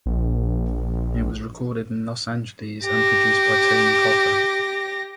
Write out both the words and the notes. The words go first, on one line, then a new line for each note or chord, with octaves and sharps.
It was recorded in Los Angeles and produced by Tony Hoffer.
A#1
G4 A#6